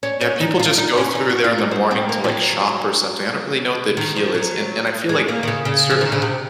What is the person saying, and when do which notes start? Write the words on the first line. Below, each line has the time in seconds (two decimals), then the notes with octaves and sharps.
Yeah, people just go through there in the morning to, like, shop or something, I don't really know what the appeal is? And and I feel like certain
0.03 C#4
0.21 C#4
0.41 D#4
0.59 F4
0.78 D#4
0.97 C#4
1.15 D#4
1.30 F#4
1.44 F4
1.58 D#4
1.71 C4
1.91 C4
2.09 A#3
2.24 F3
2.28 F#3
3.97 D#3
4.16 F3
4.35 F#3
5.09 G#3
5.29 A#3
5.43 D#3
5.48 C#3
5.65 C#3
5.90 F3
6.01 D#3
6.12 C#3
6.22 C3